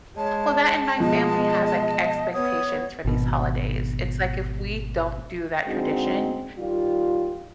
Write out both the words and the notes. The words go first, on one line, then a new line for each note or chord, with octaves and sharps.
Well, that and my family has, like, expectations for these holidays. It's like if we don't do that tradition,
G#3 C#5 A5
B2 F3 G#3 D#5
B3 C#5 D#6
G#1 B2
D3 G#3 C4 D#4 F#4
D#3 G3 F4